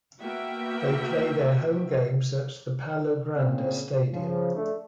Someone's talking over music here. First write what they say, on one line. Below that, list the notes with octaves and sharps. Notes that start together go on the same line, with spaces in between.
They play their home games at the Palogrande stadium.
A#3 B3 F#4 E5 G5
A#2 C#3 C4
C#3 F3
A3 D4